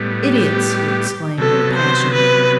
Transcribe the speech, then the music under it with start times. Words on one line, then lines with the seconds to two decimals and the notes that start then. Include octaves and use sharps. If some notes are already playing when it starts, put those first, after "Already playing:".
'Idiots!' he exclaimed, in a passion.
Already playing: A2 G3 B3
0.24 G4
1.38 C3 F#3 B3 A4
1.75 C5
2.14 B4